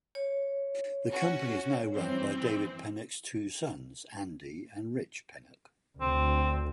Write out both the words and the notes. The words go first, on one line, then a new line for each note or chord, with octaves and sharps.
The company is now run by David Pennock’s two sons Andy and Rich Pennock.
C#5
C#4 F#4
G2 E3 C4
D2 C4